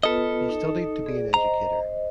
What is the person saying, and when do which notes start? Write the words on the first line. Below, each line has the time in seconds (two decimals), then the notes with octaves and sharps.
He studied to be an educator.
0.03 B3 F4 A4 B4 D#5
0.49 D#4
1.06 G#4 D5
1.34 C5 D#5 A#5